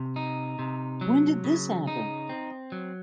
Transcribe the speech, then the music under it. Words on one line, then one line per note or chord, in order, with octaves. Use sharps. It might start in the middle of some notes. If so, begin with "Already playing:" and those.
When did this happen?
Already playing: C3
D#4
C3
F#3
C#3
D#4
C4
F#3